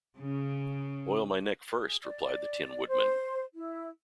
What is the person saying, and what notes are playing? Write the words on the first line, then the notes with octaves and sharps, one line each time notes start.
"Oil my neck, first," replied the Tin Woodman.
C#3
G#4
D5
C5
E4